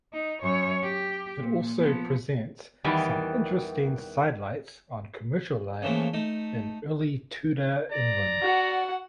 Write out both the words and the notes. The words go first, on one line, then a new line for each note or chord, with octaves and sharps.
It also presents some interesting sidelights on commercial life in early Tudor England.
D#4
F#2 C#5
G4
A#2
F3 B3
E2 D#3 E3 G3
C#3 E3 F3 A3 A#3
A3 D#4
D5 A#5
F#4 F#5